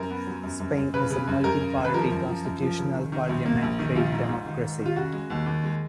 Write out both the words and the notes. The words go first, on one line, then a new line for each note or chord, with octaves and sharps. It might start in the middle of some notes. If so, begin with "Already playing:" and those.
Spain is a multi-party constitutional parliamentary democracy.
Already playing: F#2 A#4
B3
F#3
F#2
F#2
F#2
C#3 B4
C#3
F#2
F#2 A#4
C#3
G#1
B4
F3 A#4
F#2
F3
F#2
F3
C#3
D#3
D#3
A#1
A#3
A#1
D#3
A#1 F4
G#2
G#2
D#3
G#2
D#3
F4
C#3 F#4
G#3
D#2
D#2
G#3